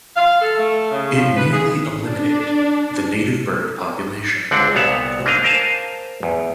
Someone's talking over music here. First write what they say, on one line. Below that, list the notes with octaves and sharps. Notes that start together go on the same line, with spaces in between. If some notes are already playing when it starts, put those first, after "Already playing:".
It nearly eliminated the native bird population.
F5
A4
A3
C#3
F3
B4
G#4
D4
C#2 D3 C4 D4 F#5
C2 A#2 B3 C#5 F#5 A5
A#3 C4 D4 D#5 F5
A#4 C5 F5 G#5 A5
E2